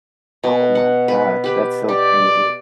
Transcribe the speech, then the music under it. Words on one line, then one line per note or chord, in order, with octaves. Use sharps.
Oh my god. That's so crazy.
B2
F#5
B4
G4 B4
G4 D5